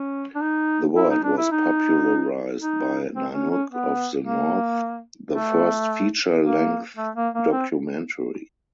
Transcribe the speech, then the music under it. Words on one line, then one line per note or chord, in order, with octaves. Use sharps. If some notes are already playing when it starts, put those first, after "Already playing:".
The word was popularized by "Nanook of the North", the first feature-length documentary.
Already playing: C#4
D4
D#4
E4
D#4
D4
E4
D#4
D#4
C4
C#4
C#4
B3
A#3
A3
A#3
A3
A#3
A#3
C4